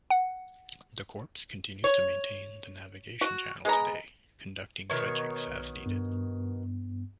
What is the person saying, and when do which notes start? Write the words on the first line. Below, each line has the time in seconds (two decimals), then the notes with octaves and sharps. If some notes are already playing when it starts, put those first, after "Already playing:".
The Corps continues to maintain the navigation channel today, conducting dredgings as needed.
0.10 F#5
1.84 C#5
3.21 F#4
3.65 G#3 B3 A#5
4.90 B2 D#3 C#5
5.48 B1
5.86 G2 B3